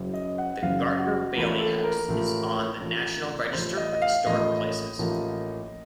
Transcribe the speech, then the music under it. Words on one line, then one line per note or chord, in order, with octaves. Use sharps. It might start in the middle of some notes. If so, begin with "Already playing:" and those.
The Gardner-Bailey House is on the National Register of Historic Places.
Already playing: F#1 F#2 C#3
D#5
F#5
F#1 F#2 C#3 F5
F#4
A1 A2 F3 A#3
A4
A#4
A1 A2 F3 A#3
A1 A2 F3
A1 A2 F3 C5
D#5
D#5
F5
A1 A2 F3 A#3 D#5
A1 A2 F3 A#3